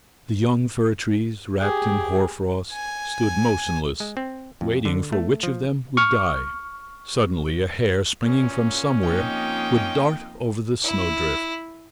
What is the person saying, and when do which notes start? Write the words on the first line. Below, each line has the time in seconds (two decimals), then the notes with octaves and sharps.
The young fir trees, wrapt in hoar-frost, stood motionless, waiting for which of them would die. Suddenly a hare springing from somewhere would dart over the snowdrift...
1.60 G4 G#4
2.72 G#5
4.00 G#3
4.17 C4
4.61 F2
4.85 D3
5.12 A3
5.43 F3
5.97 C#6 F6
8.25 A#2 C#4
9.04 F2 A#3 D#4 F4 D#5 G5
10.84 E4